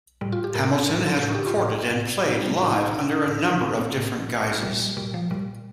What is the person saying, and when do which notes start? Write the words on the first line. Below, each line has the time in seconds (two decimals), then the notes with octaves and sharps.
Hamilton has recorded and played live under a number of different guises.
0.21 A2 G3
0.32 F4
0.44 G4
0.55 A2 A#4
0.89 A2 A4
1.06 A4
1.23 A2 A4
1.35 G4
1.46 F4
1.57 A2
1.91 A2
2.25 A2 D#4
2.34 C4
2.42 G3
2.50 A3
2.59 A2 F4
2.76 D#4
2.93 A#2 D4
3.27 A2
3.61 A#2 C4
3.78 A#3
3.95 A2
4.29 A#2
4.63 A#2 G3
4.80 G3
4.97 A#2 G3
5.14 F3
5.31 A#2 G3